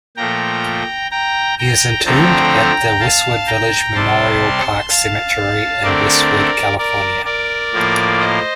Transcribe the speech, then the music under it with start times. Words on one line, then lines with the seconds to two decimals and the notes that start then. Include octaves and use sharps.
He is entombed at the Westwood Village Memorial Park Cemetery in Westwood, California.
0.17 A#2 F3 A3 G5 A#5
1.11 G5 A#5
1.58 G5 A#5
2.05 D3 F3 A3 C4 G5 A#5
3.00 F5 A5
3.47 G5 A#5
3.94 C3 G3 C4 A5 C6
4.89 F5 A5
5.83 D3 A3 C4 A#4 D5
6.78 A#4 D5
7.26 A#4 D5
7.73 A2 F3 A#3
8.20 C5 D#5